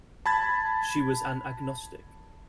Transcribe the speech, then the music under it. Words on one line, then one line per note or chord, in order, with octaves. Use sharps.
She was an agnostic.
A5 B5 G#6 A6